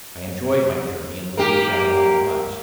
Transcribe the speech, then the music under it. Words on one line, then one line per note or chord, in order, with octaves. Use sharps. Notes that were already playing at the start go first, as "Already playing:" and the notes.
I enjoy'd my journey and Louisiana life much.
A#3 G4